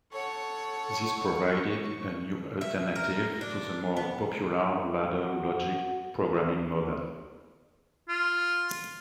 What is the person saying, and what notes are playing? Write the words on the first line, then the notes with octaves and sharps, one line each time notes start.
This provided a new alternative to the more popular ladder logic programming model.
A4 C#5 F#5 C#6
E5
A#4
D4
B3
F#4
F4